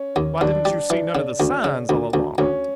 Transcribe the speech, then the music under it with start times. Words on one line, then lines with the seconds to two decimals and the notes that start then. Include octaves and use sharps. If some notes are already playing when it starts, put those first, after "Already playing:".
Why, didn't you see none of the signs all along?
Already playing: C#4
0.16 D#2
0.41 D#2 D4
0.65 G3
0.90 E3
1.15 C#3
1.40 D2
1.64 C#3
1.89 D2
2.14 D2
2.38 D2 C#4